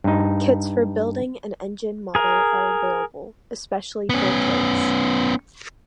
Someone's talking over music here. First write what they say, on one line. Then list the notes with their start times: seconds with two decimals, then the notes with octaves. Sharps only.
Kits for building an engine model are available, especially for kids.
0.04 G2 D#4
2.15 G#4 A#4
4.10 B3 C#4